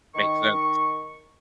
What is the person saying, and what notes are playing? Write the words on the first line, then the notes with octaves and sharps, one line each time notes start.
Makes sense.
D#3 C#6